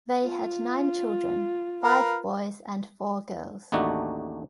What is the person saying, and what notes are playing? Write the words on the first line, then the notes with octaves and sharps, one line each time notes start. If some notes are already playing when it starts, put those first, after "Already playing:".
They had nine children: five boys and four girls.
F4
A#4 B4 F5
A1 D#2 A3 D4 D#4 F#4